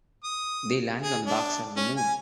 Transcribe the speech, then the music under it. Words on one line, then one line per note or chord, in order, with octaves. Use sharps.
They landed on the dark side of the moon.
D#6
G#4
D4
C#4
G#5